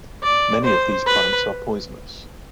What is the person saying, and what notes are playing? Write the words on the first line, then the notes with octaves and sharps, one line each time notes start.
Many of these plants are poisonous.
D5
C5
B4